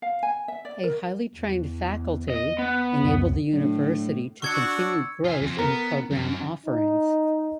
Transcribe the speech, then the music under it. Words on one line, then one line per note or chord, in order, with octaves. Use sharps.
A highly trained faculty enabled the university to continue growth in program offerings.
F5
G#5
E5
D5
A#4
E2
D#5
B3
C#2 F#2 C3
A2 F#3 D4
D4 F#4 C#6 E6 G#6 C#7
F4 G#5
F2 C4
B3 A#4
F#2
D#4